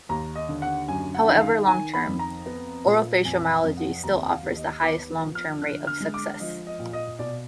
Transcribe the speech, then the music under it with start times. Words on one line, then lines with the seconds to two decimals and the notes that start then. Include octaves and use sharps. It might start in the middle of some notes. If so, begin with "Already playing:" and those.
However, long term, orofacial myology still offers the highest long term rate of success.
0.09 D#2 A#5
0.35 D#5
0.49 D3
0.62 F#5
0.88 F#2 G#5
1.15 F#5
1.28 D#3
1.41 F5
1.67 D#3 G#5
1.94 B5
2.07 F2
2.19 A#5
2.46 B3
2.85 A#2
3.25 F2 G#5
3.64 F2
3.77 F#5
4.03 D#2 A#5
4.24 F#5
4.30 F5
4.43 D#2
4.57 D#5
4.82 B3 D6
5.22 F3
5.35 F6
5.62 D3 F#6
5.87 F6
6.01 G#3
6.14 D6
6.40 F3 D#5
6.67 D#5
6.79 A#2
6.93 D#5
7.19 B2 D5